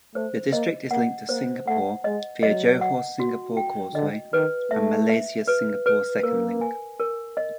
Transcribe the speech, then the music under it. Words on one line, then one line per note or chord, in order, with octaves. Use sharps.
The district is linked to Singapore via Johor-Singapore Causeway and Malaysia-Singapore Second Link.
A3 C5
A#3 D#5
A#3 F#5
A#3 C5
A3 F#5
G#3 D#5
F#3 D#5
F#5
F#4
G5
D3 D#5
D#3 B4
A3 E5
E5
B4
B4
A#3 A#4
G#5
A#4
D#5